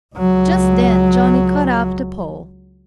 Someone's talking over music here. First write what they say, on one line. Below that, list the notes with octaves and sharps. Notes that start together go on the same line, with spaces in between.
Just then Johnnie caught up the pole.
C#2 F#3